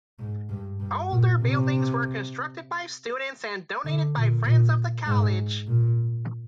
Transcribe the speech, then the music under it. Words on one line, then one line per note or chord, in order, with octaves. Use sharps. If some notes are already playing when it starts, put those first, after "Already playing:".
Older buildings were constructed by students and donated by friends of the College.
G#2
G2
G2
A#2
C3
D3
A#2
A#2
G#2
A#2